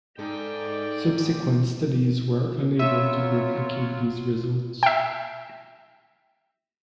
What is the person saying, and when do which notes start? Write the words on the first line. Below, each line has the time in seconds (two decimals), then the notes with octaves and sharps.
Subsequent studies were unable to replicate these results.
0.19 G#2 D#4 A4 D5 G5
2.79 F#3 B3 C4 F4 C#5 E5
4.83 E5 G5